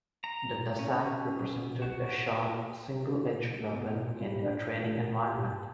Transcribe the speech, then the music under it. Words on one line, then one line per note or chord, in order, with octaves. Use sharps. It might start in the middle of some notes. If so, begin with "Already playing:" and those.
The dussack represented a short, single-edged weapon in a training environment.
A#5
C#4
F#4
A3
B2
A#2
G3
D4
A1
A#4
G4
A5